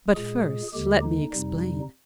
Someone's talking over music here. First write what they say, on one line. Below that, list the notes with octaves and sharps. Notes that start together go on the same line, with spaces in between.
But first, let me explain.
A#2 G#3 G#4
D#2 D3 G#3 G4
D#4
F2 C3 G3